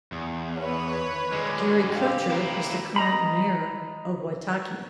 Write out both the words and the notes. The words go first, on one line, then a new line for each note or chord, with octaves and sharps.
Gary Kircher is the current mayor of Waitaki.
E2
D#3 B4 C#5
D3 G#3
G4 F5
A#3 E4
D#5 A#5 B5